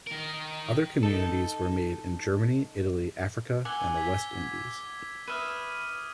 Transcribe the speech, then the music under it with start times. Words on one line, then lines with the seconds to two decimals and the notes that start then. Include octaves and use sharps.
Other communities were made in Germany, Italy, Africa and the West Indies.
0.07 D#3 A#4
1.03 D#4 A4
3.65 F#5 G#5 D6 E6 G7
3.95 G#6 B6
5.28 B4 E5 D#6 F6 D#7